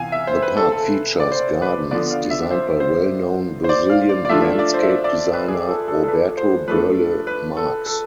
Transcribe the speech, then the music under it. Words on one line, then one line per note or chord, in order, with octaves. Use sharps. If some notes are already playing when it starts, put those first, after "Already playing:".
The park features gardens designed by well-known Brazilian landscape designer Roberto Burle Marx.
Already playing: C3 E3 B3 F4 F5 G#5
E5
C5
B4
A4
A4
D5
C5
B4
D3 F3 B3 D5
F5
E5
C5
C5
C5
D5
F5
D5
D5
F3 A3 D4 F4 E5
E5
D5
C5
E5
D5
D5
B4
G#4
A4
A4
A4
B4
C5
F3 A3 D4 B4
B4
A4
A4